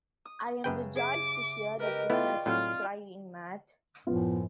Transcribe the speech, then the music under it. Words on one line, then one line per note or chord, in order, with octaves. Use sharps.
I am rejoiced to hear the business is thriving, Mat.
D#6
F#2 C#3 B4 G5
G#4 E5 D6
G4 A#4 B4 D#5
A3 B3 E4 F4 D5 G5 C#6
A2 F#3 C4 F4 F6
F#2 A2 F3 B3 F4